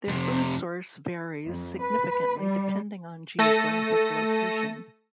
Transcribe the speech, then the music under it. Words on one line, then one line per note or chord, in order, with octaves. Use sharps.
Their food source varies significantly depending on geographic location.
F2 C3
F2
B4
G3
A3 A4 A#6 D#7